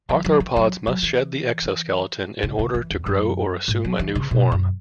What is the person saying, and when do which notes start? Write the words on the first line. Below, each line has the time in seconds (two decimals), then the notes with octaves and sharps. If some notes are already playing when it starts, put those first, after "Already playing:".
Arthropods must shed the exoskeleton in order to grow or assume a new form.
0.09 F#3
0.24 F#3
0.40 E3
0.56 F#3
0.87 F#3
1.03 E3
2.43 C#3
2.59 C#3
2.74 E3
2.91 E2
3.06 F#2
3.68 G#2
3.85 F#3
3.99 E3
4.15 C#3
4.31 B2
4.52 F#2